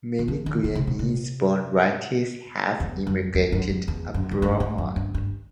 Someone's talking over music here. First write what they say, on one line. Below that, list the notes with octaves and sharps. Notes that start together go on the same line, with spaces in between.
Many Guyanese-born writers have emigrated abroad.
D#3
E3
D#3
D#3
C3
B2
C3
E2
F#2
E2
F#2
F#2
E2
F#2
A2
G2
A2
F#2
G2
G2